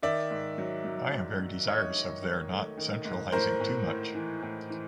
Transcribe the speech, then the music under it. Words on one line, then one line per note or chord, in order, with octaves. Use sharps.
I am very desirous of their not centralizing too much.
D#3 D5 E5
G#2
F#3
F#3
G#2
F#3
G#2 C#5 D#5
D#3
D#3
A3
D#3
G#2
A2 A#4 C5
A2
A2
E3
A2
E3